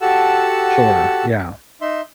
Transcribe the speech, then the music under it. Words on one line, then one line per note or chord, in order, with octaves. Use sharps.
Sure. Yeah.
F#4 G4 A4 F#5 A5 E6
D#4 E5 C6